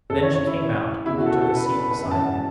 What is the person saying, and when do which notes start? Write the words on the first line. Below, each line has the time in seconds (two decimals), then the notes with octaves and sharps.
Then she came out, and took a seat beside me.
0.10 F#2 C#3 E3 A4
0.22 C#5
0.34 C#5
0.47 E4
1.06 E2 C#3 E3 E4
1.18 F#4
1.26 A4
1.30 F#4
1.42 A4
1.55 B4
1.66 B5
1.79 B5
1.91 B4
2.02 F#2 E3 E5
2.11 A5
2.19 F#5
2.35 A5